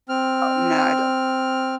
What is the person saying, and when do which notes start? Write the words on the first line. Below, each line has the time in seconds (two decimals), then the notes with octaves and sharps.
no I don't
0.09 C4 F6